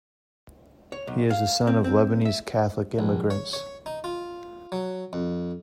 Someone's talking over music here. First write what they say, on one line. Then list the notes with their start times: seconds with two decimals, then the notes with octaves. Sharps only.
He is the son of Lebanese Catholic immigrants.
0.92 C#5
1.07 B1
1.30 F5
1.67 C4
1.84 C4
2.25 E5
2.99 A#1
3.30 C#5
3.53 C#5
3.86 D#4
4.04 F4
4.72 F#3
5.13 F2